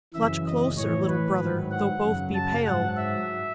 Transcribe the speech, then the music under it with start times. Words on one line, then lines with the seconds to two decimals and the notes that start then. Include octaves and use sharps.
Clutch closer, little brother, though both be pale!
0.14 F#2 C#3 E3 E5
0.46 D#5
0.77 A2 E3 C#5
1.08 B4
1.40 G#2 D#3 F#3
1.71 F#5
2.02 F#2 C#3 F#3
2.35 A5
2.66 G#2 F#3 F#5
2.97 E5